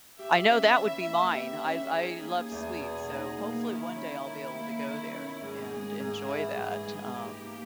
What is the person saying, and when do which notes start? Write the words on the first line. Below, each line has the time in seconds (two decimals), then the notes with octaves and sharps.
I know that would be mine, I I love sweets, so hopefully one day I'll be able to go there and and enjoy that, um,
0.18 G4 E5
0.48 C#4
0.76 E3
1.06 A#3
1.35 G4
1.64 C#4
1.93 D#4 G#4
2.22 A#3
2.52 E2
2.79 B2
3.10 D#4
3.38 A#3
3.67 D#3 E4
3.96 C#4
4.25 D#3
4.54 A#3
4.83 D#3
5.12 C#4
5.41 G#2 G#4
5.71 G#3
6.00 G#2
6.28 E3
6.57 G#2
6.87 G#3
7.16 D#4 G4
7.45 A#3